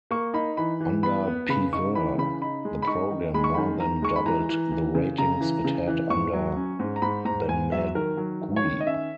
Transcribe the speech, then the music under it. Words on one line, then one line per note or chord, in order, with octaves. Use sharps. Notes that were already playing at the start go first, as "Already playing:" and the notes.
Under Pevere, the program more than doubled the ratings it had under Benmergui.
A#3 C#6
D#4 B5
E3 B5
E3
B3 B5
B3
C#3 B5
D#4 C#6
E3 B5
C#3 B5
D#4 B5
G#3
B5
D#4 C#6
D#3
G#3 B5
C#6
D#3 B5
D#3 A#5
G#3 C#6
B5
E3 A#5
E3
E3
C#3
C#3 A#5
E3
C#3
E3
G#2 C#6
F#3
C#4
G#2
A#5
G#2 B5
G#2 A#5
G#2 G#5
F#3 E5
D#3 A#4
F#3
D#3
C#5
D#3
D#5
C#4 E5